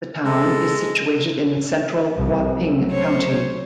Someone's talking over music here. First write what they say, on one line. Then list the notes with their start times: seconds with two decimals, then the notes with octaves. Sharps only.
The town is situated in the central Huaping County.
0.25 G#3 A4
2.16 C2 F3
2.58 F#3 A3
2.91 C5 C#5